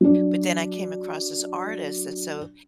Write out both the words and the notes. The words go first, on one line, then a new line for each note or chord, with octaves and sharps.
But then I came across this artist, and so
F#3 D4